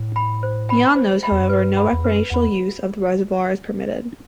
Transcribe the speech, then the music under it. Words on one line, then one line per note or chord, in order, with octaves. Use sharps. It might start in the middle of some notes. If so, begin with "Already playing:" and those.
Beyond those, however, no recreational use of the reservoir is permitted.
Already playing: A2
G5 B5
C5
G5 B5
C5
G5 B5
E2
F#2
G2 B4
F#5 B5
E2
F#2 B4
E2 F#5 B5